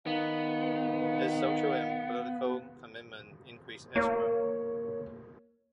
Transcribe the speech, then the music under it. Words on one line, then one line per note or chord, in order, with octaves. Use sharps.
His social and political commitment increased as well.
D#3 B3 F5
A#3 C#5